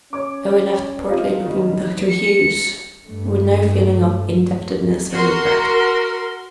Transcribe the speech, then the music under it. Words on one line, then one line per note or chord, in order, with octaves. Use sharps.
So he left the portly-looking Dr. Hughes, with no feeling of indebtedness or regret.
C#4 C#5 D6
G#3 C4 D#4 F4
D#3 G3 D#4
C#7
G2 A3
F#4 A#4 C6